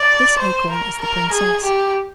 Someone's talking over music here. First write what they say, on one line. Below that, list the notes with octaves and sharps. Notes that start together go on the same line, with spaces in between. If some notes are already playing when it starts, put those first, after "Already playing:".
This acorn is the princess.
Already playing: D5
C5
A#4
A#4
G#4
G4